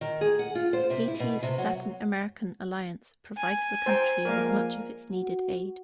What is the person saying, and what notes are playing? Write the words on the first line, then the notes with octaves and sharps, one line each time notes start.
Haiti's Latin American alliance provides the country with much of its needed aid.
D#3
G#4
F#5
F4
C5
C3
E4
B2
C3
F#3
G#5
C5 G5 A#5
F3 G#3 A#3 A#4 D5 F5
F#4